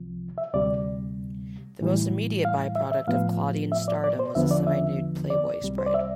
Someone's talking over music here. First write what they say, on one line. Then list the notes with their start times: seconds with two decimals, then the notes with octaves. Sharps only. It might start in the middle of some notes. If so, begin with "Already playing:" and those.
The most immediate byproduct of Claudine's stardom was a semi-nude "Playboy" spread.
Already playing: C2 C3 F3
0.38 E5
0.54 D2 C3 G3 D5
1.81 A2 E3 G3
2.45 F5
2.75 E5
2.92 E5
3.07 A2 F3 B3 F5
3.72 E5
3.88 D5
4.04 D5
4.19 C5
4.35 E2 D3 F3 B3 E5
4.51 D5
4.67 E5
5.30 D5
5.62 C2 C3 G3
5.79 C5
5.86 D5
5.94 E5